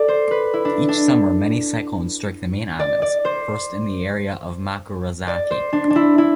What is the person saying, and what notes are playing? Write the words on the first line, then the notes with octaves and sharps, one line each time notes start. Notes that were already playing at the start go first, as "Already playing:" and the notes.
Each summer many cyclones strike the main islands first in the area of Makurazaki.
Already playing: A4 D5
C5
B4
E4
D4
D4
D5
D5
C5
D5
C5
D4
D4
E4
E4